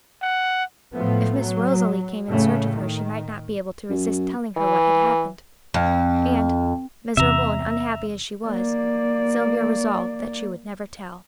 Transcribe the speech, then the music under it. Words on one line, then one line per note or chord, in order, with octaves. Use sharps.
If Miss Rosalie came in search of her she might not be able to resist telling her what had happened; and, miserable and unhappy as she was, Sylvia resolved that she would never tell.
F#5
A2 F3 A3 B3
F#3
A2 C#3 A3
D#3
F#2
E3
F2
E2 C3 E5 A#5 E6
A#3 D5